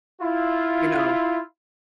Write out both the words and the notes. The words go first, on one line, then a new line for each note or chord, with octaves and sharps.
you know.
E4 F4